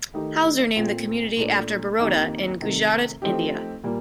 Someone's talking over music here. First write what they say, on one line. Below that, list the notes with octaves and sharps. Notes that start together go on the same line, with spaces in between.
Houser named the community after Baroda in Gujarat, India.
D#3 A3 D#4 G4
A#2 A3 C4 F4
A#2 A3 D4
F2 D#3 A#3 D#4 G4
C3 D#3 A3
F3 A3 C4 D#4 G4
A#2 G3 A#3